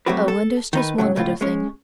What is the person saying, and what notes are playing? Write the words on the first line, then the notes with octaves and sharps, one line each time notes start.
Oh, and there's just one other thing.
F#3 A3 C4 F#4 G4 B4
A4
D#3 D#4 B4
A2 C#3 F#3
C#2 A2 F4
G#3 C#4